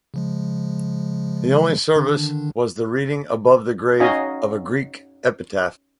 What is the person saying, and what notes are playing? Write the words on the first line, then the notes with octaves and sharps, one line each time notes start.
The only service was the reading above the grave of a Greek epitaph...
C#3 F3 G#3
D3 D#3 D4
C#4 D#4 F#4 D#5 F5 G#5